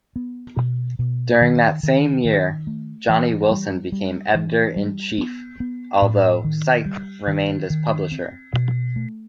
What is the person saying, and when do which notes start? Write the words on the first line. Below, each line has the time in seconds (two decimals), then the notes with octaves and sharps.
During that same year, Johnny Wilson became editor-in-chief, although Sipe remained as Publisher.
0.16 B3
0.57 B2
0.99 B2
1.41 D#3
1.83 D#3
2.25 D#3
2.67 A3
3.09 E3
3.51 G3
3.92 G3
4.35 E3
4.76 G3
5.18 B3
5.60 B3
6.02 A2
6.45 D#3
6.86 G3
7.27 D#3
7.70 D#3
8.12 C4
8.54 B2
8.96 A3